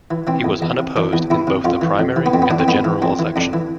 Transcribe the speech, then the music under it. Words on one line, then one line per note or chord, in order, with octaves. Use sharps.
He was unopposed in both the primary and the general election.
E3
E3 C4
E2
E2
C3
E3 D4
E2
E2 E4
C3
F2 F4
E3
F2
E3
B3
F2 C4
B3
E3 D4
C4
F2 B3
E3
F2 C4
E3
F2 D4
E3